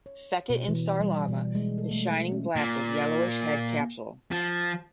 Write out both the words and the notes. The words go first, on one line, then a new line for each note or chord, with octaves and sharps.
Second instar larva is shining black with yellowish head capsule.
C#5
B2
E3
G3
B2
G#3
A4
A3
C#4
A#2
F3